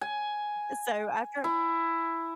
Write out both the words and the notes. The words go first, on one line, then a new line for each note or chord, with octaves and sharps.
And so, after
G#5
E4